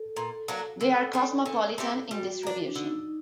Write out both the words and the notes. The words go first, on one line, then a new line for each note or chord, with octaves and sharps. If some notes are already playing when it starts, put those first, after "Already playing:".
They are cosmopolitan in distribution.
Already playing: A4
A#2
F#3 A#3 D4
D3
G3 D4
D3
A3 C4 G4
G3 F#4
A#3 D4
D4
D3 D#4